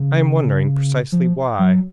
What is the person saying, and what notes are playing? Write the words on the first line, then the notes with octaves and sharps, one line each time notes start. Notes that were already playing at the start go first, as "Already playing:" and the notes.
"I am wondering precisely why."
Already playing: C#3
F3
F#3